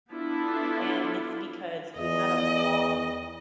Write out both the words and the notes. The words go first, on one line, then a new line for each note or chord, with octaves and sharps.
And it's because we had a bomb
B3 D4 E4 F4 A4
E2 D#5